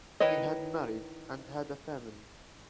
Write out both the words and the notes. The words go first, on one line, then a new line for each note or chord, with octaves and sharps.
He had married and had a family.
D#3 E4 B4 C#5 D#5